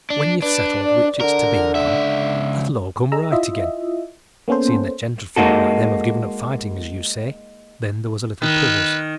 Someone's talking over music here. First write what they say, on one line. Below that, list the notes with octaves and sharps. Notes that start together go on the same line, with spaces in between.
"When you've settled which it's to be, ma'am, that'll all come right again,--seeing that gentlefolks like them have given up fighting, as you say." Then there was a little pause.
D4
D4 B4
D5
D3 A#4
C#2 E5
G#4 D#5 A#5 E6
E4 F4 D#5 E5
A#3 B3 C#4 A4 C5
G#3 A#3 D#4 F#4 A4
D#3 B4